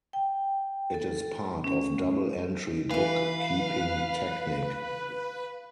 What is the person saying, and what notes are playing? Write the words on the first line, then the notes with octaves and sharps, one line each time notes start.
It is part of double-entry book-keeping technique.
G5
A4
C#4
E3 B4 F5 G#5